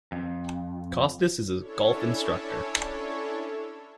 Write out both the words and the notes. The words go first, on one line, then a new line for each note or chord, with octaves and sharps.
Kostis is a golf instructor.
F2
C#4 D4 E4 A4 C#5